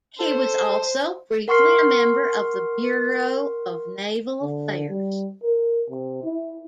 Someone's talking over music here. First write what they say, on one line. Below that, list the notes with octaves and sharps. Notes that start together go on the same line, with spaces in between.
He was also briefly a member of the Bureau of Naval Affairs.
A4 C5
A#4 F#5 C6 C#6 F6 C7
D3
G3
A#4
C3
E4